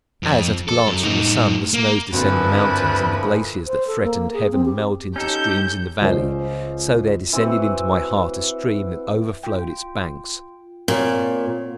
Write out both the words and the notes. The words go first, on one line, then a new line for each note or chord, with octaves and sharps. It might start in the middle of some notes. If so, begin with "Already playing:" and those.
As at a glance from the sun the snows descend the mountains and the glaciers that threatened heaven melt into streams in the valley, so there descended into my heart a stream that overflowed its banks.
F2
A4
F#2
A2 D#4
A#3
G2 A#2 D3 E3 F3 C4 F#4 B4
C5
A4
A#3
G#4
C4
G4
C#4 D#4 G4 A4 G6
C#2 C5
E3 C4 F#4
F4 G5
A#2 C4 F#4 C#5